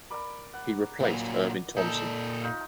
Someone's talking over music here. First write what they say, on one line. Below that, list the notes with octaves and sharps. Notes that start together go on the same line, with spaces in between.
He replaced Ervin Thomson.
A#4 D5 B5
F#5
A#2 F#3
A#2 D#4 A4
D#4 F4 E5